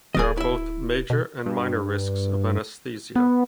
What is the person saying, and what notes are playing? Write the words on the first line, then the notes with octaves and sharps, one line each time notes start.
There are both major and minor risks of anesthesia.
D1 G#4 D5 D#5
E4 E5
B2
G2
B3